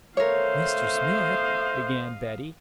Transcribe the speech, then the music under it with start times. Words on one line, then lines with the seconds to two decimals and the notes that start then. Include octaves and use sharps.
"Mr. Smith," began Betty.
0.17 A3 A#4 C5 C#5 D#5 F5